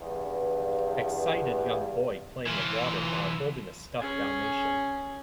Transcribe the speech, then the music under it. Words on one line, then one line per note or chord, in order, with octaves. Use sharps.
Excited young boy playing in water while holding a stuffed Dalmatian.
E2 G2
E3 F4
C#4 G#4